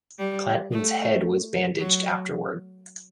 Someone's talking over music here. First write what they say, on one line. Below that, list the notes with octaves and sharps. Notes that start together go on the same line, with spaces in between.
Clanton's head was bandaged afterward.
G3
A3
F#3